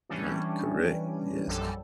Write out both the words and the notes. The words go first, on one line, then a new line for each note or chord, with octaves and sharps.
Right, correct, yes,
E3 G3 C#4 D4
A#1 F#2 G3 A4